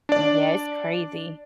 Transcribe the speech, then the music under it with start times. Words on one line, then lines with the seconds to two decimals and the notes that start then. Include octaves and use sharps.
Yeah, it's crazy.
0.09 D4 D5